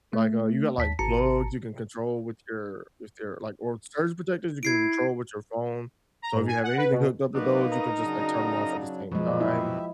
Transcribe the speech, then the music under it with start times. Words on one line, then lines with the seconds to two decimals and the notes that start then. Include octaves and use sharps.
like, uh, you got, like, plugs you can control with your with your, like or surge protectors you can control with your phone, so if you have anything hooked up to those, you can just, like, turn 'em off at the same time.
0.13 A3
0.78 D#2 A5 B6
0.99 G#1 A5 A#5 C#7
4.63 E4 G#6 C7 D7
6.22 A#5
6.34 G#2
6.48 G#5
6.63 F#5
6.77 B4
6.92 B2
7.35 F#3 A#3 D4 D#4 B4
7.72 A#4 D#5 A#5
7.96 C#3 F#3 D4
9.12 F#2 B2 F3 G#3
9.40 E4 G4 E5